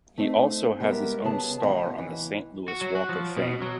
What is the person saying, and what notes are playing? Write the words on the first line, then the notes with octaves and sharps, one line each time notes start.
He also has his own star on the Saint Louis Walk of Fame.
A3 C4 D#4
G3 G#3 B3 A4 A#4 E5
C#3 B3 G#4 A5
F2 A2 D#4 G4 D#5 F#5
F#2 B3 E4
E3
F#4
F#3
F#4
F3
B2
F#3